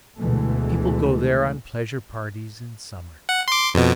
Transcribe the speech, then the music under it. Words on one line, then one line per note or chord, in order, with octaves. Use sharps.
People go there on pleasure parties in summer.
D2 B2 E3 G#3 A3
F#5
C6 D6
F2 B2